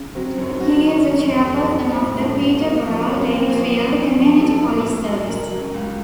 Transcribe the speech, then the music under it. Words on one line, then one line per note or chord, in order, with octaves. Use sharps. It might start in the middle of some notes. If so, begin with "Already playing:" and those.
He is the chairperson of the Peterborough Lakefield Community Police Service.
Already playing: C#3
F#3 C4
F#2 C#4
D#4
F#2 F#4
D#4
D#3 C#4
F#3
F2
F2
F#3 C4
A2
A2
F#3
C#3 A#3
F3
F#2
A#3
F#2 C4
C4
F3 C#4
F#2
F#2
F3
F#3 A4
A2
A2
F#3
C#3 A#4
F#3
C#2